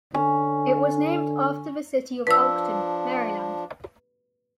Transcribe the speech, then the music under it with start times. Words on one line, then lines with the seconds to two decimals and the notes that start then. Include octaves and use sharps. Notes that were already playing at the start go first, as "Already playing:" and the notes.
It was named after the city of Elkton, Maryland.
0.14 D3 C#4
2.27 F3 D4 B4 E6